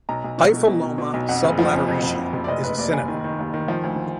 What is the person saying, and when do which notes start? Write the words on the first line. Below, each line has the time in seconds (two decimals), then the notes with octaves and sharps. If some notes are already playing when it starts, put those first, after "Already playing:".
"Hypholoma sublateritium" is a synonym.
0.09 B1 A#5
0.24 B1
0.38 B2
0.54 B2
0.68 B2
0.83 B2
0.98 B2
1.14 B1
1.29 F2 F#5
1.44 F#1
1.59 F3
1.73 F2
1.88 F2
2.03 F#1
2.18 F2
2.33 F#1
2.44 D5
2.48 F1 D#5
2.64 F1 B4
2.78 D#2 D5
2.93 D#2 G#5
3.08 D#3
3.24 D#3
3.39 D#2
3.54 D#3
3.68 F3
3.84 D2